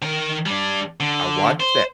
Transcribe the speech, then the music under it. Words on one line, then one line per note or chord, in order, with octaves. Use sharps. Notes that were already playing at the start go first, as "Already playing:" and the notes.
I watched that
D#3 A#4
G3 D4
D3
C5